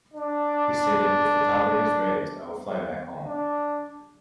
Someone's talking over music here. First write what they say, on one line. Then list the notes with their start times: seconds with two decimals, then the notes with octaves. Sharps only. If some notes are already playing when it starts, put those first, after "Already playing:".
He stated "If the topic is raised, I will fly back home".
0.14 D4
3.26 D4